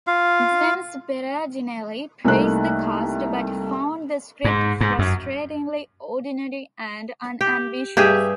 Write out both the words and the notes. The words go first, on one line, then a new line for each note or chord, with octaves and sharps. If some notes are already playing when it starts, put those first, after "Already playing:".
James Berardinelli praised the cast but found the script "frustratingly ordinary and unambitious".
F4 F5
C2 A3 A#3 D#4 F#6
G#2
G#2
F#2
G4
G2 G4 G#4 E5